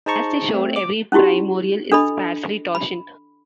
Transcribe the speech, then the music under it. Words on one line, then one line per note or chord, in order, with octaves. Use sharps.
As they showed, every primorial is sparsely totient.
D#4 G#4 C5 A5 A#5 C#6
A3 C4
D6
C#4 D#4 E4 F#4 G4
D4 A4 D#5 B5
B5